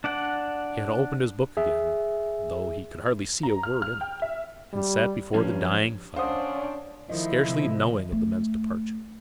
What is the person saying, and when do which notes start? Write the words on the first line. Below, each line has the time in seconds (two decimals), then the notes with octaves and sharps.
He had opened his book again, though he could hardly see a word in it, and sat before the dying fire, scarcely knowing of the men's departure.
0.04 D4 D5 F#5
1.57 G#4 E5
3.43 A#5
3.63 F6
3.82 F6
4.01 G5
4.22 E5
4.73 G3
5.34 G2 F3 C#4
6.16 C#4 D4 C5 D5 F5 F#5 D#6
7.10 D#3 F3 A3 E4 A#4 D#5
7.48 C3
8.12 A3